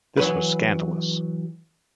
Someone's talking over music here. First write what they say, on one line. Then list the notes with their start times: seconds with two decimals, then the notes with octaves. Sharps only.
This was scandalous.
0.17 E3 F#3 B4